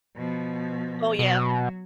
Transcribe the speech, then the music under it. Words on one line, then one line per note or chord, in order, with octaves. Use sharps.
Oh, yeah.
B2 F3
B2 F#3